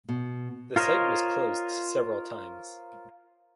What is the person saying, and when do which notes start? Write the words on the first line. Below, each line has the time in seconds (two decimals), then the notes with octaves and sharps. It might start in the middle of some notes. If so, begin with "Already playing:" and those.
The site was closed several times.
0.09 B2
0.76 F4 A#4 C5 C#5 D#5